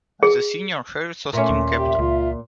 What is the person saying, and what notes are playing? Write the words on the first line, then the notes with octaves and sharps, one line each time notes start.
As a senior, Harris was team captain.
G#4
A#2 A3 C#4 E5
D#2
G4
C#2 F4